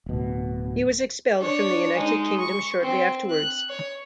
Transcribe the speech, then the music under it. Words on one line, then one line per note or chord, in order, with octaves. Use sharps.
He was expelled from the United Kingdom shortly afterwards.
D1 B2
D4 C#5
G#3 D#4
C#6
C4
F#6
C#5